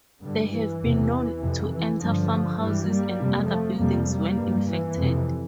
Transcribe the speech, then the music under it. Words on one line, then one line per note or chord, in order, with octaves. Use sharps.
They have been known to enter farm houses and other buildings when infected.
G2 D3
E3
E2 C3
F2 C3
E3
G2 D3 F3
G2 E3 G3
G3 A#3
F2 C3
F3 A3
F2 C3 G3 A#3
G3 A#3
G2
E3
F2 C3